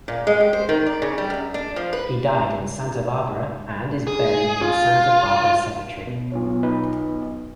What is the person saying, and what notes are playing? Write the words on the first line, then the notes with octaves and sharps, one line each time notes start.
He died in Santa Barbara and is buried in Santa Barbara Cemetery.
A#2
G#3
G4
C5
D#3
D5
C#3
G3
F#2
D4
F3
B4
G#4
F4
B2
B1 F4 C#5
D#4 B4 D#5